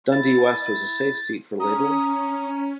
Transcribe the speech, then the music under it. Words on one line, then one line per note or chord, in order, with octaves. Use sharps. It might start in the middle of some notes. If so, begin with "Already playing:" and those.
Dundee West was a safe seat for Labour.
E4 A6
C#4 A#5 D#6